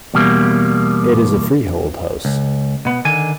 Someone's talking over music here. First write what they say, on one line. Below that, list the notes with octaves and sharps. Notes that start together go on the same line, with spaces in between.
It is a freehold house.
E2 B2 G3 A#3
C#2
B2 B3
D3 D#3 G#5